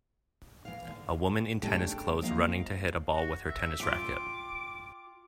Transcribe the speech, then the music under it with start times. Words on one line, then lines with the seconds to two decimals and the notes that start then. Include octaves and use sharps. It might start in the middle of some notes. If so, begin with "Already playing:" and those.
A woman in tennis clothes running to hit a ball with her tennis racket.
0.65 E3 F5
0.88 D3
1.63 C#3 A3 D4 G4 A4 G5
2.21 F2 F3 A#3 D#5 F5 A#5
3.13 F#4
3.46 E5
3.80 F4 G5 D6